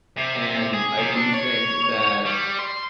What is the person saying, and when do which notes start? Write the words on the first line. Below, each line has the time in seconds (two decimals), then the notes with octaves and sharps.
and I do think that,
0.17 C3
0.73 G#4
0.97 C3
1.15 D4
1.34 C#5
2.25 G3
2.59 C6